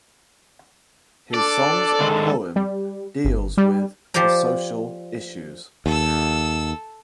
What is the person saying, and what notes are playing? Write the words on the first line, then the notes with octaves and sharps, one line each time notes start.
His songs and poem deals with the social issues.
D4 A4 D5
D3 D#3 G#3
G3
G1
G3
F3 G4 C5 D5 A#5
D#2 A4 E6